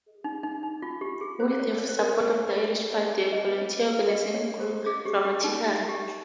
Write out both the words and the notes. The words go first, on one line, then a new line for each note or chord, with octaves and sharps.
With the support of the Irish Party the Volunteer organisation grew dramatically.
D#4
D#4
D#4
F4
G4
G#4
C5
C5
C#5
C#5
C5
A#4
C5
D#5
C#5
D#5
C#5
C5
G#4
G4
G4
D#4
G4